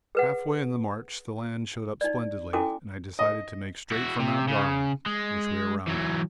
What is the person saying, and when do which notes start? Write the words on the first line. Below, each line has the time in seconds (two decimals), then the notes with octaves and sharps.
Half way in the march the land showed up splendidly, and I decided to make straight for Mt. Darwin, which we are rounding.
0.15 G#4 B4 F#5
2.01 D#4 D5
2.53 C#4 E4 F#4 A4 G#5 D6
3.19 D#5
3.92 E4 F#4
4.20 C3
4.48 C#3
5.06 G#3
5.87 E3 F#3